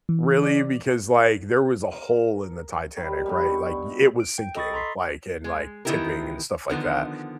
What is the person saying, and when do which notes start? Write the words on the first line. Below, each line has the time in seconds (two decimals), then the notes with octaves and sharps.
really, because, like, there was a hole in the Titanic, right? Like, it was sinking, like, and, like, tipping and stuff like that.
0.09 E3
0.43 D5
1.91 A#4
2.97 D#3 G3
3.26 G2 B2 G3
3.47 E4 C#6
4.20 D7
4.38 G5
4.55 A4 D#5 B5 C#6 D#6 A6
4.74 A#5 C6 B6 C7
5.44 G#3
5.85 D#3 E3 B3 E4 G4 A#4
6.70 D3 D#3 F3 B3